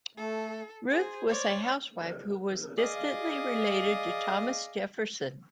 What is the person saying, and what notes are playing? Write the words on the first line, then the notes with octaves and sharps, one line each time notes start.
Ruth was a housewife who was distantly related to Thomas Jefferson.
A3 A4
G#4 C5
C#5 D5
G#4 D5 D#5 F5